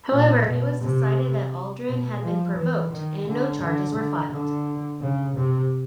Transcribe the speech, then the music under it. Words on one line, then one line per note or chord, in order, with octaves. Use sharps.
However, it was decided that Aldrin had been provoked and no charges were filed.
A#2
B2
C3
B2
F3
E3
D#3
D3
D3
D3
D3
C#3
C3